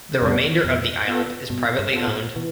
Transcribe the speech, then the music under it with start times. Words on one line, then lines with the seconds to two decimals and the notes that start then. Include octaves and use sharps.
The remainder of the island is privately owned.
0.21 F2 C3 G3 B3 D4
0.64 F2 B2
1.08 B3 F4 A4
1.50 G2 B2
1.79 G2
1.93 B3 F4 A4
2.08 A2
2.36 B2 E3